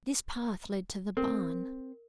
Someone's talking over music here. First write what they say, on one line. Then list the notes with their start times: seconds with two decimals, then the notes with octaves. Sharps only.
This path led to the barn.
1.17 C4 A#4